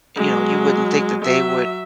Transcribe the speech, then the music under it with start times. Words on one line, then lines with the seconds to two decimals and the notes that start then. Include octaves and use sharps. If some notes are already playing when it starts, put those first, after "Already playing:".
you know, you wouldn't think that they would
0.16 F#3 G#3
1.22 F#3 E5